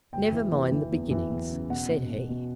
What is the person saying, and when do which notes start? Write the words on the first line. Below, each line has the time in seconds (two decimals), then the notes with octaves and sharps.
"Never mind the beginnings," said he.
0.13 F#1 G5
0.32 E3
0.52 E3
0.72 E3
0.92 E2
1.11 E3
1.31 E2
1.51 C#3
1.70 B2 F#5
1.90 B2
2.09 B2
2.29 B2